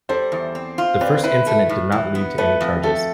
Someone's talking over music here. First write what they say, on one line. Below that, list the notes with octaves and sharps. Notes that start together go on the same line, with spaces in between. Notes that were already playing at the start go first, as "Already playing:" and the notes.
The first incident did not lead to any charges.
G3 A4 C5
E2
C4
F4
C4 B4 D5
E4 B4
A3
A2
E3
B3
A3 B4
F2
A3 A4